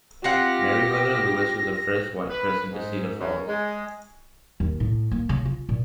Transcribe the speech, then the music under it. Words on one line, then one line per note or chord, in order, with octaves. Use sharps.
Meriwether Lewis was the first white person to see the falls.
C4 F4 G4 F#5 A#6
B4
G#2
F#2
G#3
D#2
A2
A#3
C#3
F4
A#2